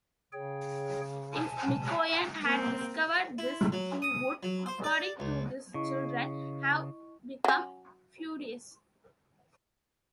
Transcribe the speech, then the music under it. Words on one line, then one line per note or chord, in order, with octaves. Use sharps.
If Mikoyan had discovered this he would, according to his children, have become furious.
C#3 G#4 C#5 G5
G#5 A5
A#3 C4
E4
F#3
D#6
F#3
C5
D5
C#2
C#3 E4 D#5 C#6
F#3 C#4